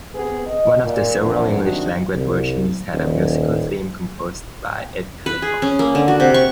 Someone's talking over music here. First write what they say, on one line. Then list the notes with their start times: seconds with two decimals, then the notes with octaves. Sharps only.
One of the several English-language versions had a musical theme composed by Edd Kalehoff.
0.14 C3 B3 G#4
0.46 D#5
0.82 A#2
1.20 D3 E3 F3 A3 B3 C4
1.62 G2 D#3 C4 D4 E4 F#4
2.14 C2
2.93 D#1
5.26 B4
5.42 G#4
5.62 C#4
5.79 A#3
5.95 D3
6.08 F#4
6.20 C3
6.34 C#6